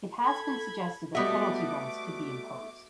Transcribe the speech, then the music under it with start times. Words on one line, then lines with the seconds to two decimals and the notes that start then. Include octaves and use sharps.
It has been suggested that penalty runs could be imposed.
0.20 A4 B5 G#6
1.15 G3 A3 B3 F#4 D#5 E5 D6